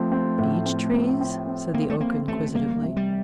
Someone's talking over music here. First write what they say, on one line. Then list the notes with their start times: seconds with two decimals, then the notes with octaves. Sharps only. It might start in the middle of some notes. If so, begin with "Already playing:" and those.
"Beech Trees?" said the Oak inquisitively.
Already playing: F3 A3 C4
0.12 C4
0.38 A2
0.65 C4
0.93 C4
1.21 C4
1.47 C4
1.74 A#3 C4
1.90 A3
2.01 A#3 C4
2.28 A1 A3
2.55 C2 A#3
2.83 C3
2.97 G3